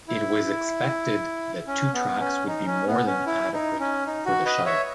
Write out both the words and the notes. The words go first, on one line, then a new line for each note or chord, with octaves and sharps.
It was expected that two tracks would be more than adequate for the shuttle.
E4
C#4
B3
C#4
D#4
C#4
B3
C#4
E4
D#4
C#4
D#4
F#4
B4 D#5
C#5 E5